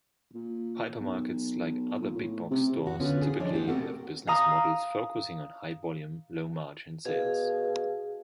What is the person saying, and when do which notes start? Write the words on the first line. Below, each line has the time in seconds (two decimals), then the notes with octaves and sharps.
Hypermarkets, like other big-box stores, typically have business models focusing on high-volume, low-margin sales.
0.35 A#2
0.99 B1
2.01 A#2
2.15 A2
2.51 C3
2.86 F2 F#4
2.99 D3 B3 C#4 F4
3.22 G#4
3.40 F3 D4 C#5 D#5
3.53 A3 B3 G4
3.68 B3 C4 F#4 A4 A#4 F#5
4.27 F5 A#5 D#6
7.05 B2 G#4 F5